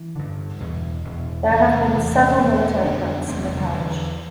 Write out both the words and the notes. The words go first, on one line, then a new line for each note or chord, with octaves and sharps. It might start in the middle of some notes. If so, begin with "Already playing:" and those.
There have been several military camps in the parish.
Already playing: E3
G2 D3
E2 B2
E2 B2
E2 C3
B3
A3
G3
F3
E2 C3 E3
E2 B2 A3 C4
F2 D3 B3 D4
E2 C3 A3 C4
G3 B3
G3
D3 F3
E2 D3 E3